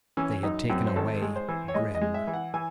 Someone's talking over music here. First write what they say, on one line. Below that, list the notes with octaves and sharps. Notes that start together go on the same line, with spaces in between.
They had taken away Grimm.
E3 C#4
F#2 D#4
F#2 C4
C5
G#1 A4
G#3
C5
E3
C#5
G#3 D#5
D#5
G#3
E5
E3
F#5
E3 G#5